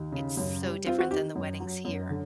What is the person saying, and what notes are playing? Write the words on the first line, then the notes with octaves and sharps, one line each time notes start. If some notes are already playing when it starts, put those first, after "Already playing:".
it's so different than the weddings here.
Already playing: D#2
C#3
F#2
G3
C4 F4
F#4
D#3 G4
F#2
F#3
F#2
D3